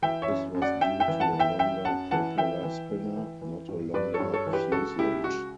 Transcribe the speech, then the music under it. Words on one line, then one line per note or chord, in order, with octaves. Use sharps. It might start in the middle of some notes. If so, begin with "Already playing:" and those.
This was due to a longer propeller spinner, not a longer fuselage.
E3 E5 G5
C#5 E5
F#2
F#2
D5 F#5
F#2 E5 G5
E5 G5
E3
F#5 A5
E3
E5 G5
F#2 E5 G5
F#2 F#5 A5
E3 F#5 A5
E3 E5 G5
E3
E3
E3
E3
G2
G2 B4 D5
A4 C#5
G2
A4 C#5
E3
G4 B4
C#2 F#4 A4
C#2 E4 G4
C#2 F#4